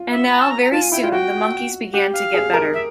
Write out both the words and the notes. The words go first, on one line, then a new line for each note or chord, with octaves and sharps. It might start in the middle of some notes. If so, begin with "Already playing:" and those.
And now very soon the monkeys began to get better.
Already playing: F4
E5
A#5
A5
A#5
A#5
F4 A5
G#5
E4 G5
F4 G5
F#4 G5
G4 F#5
F5
G#4
A#4
E5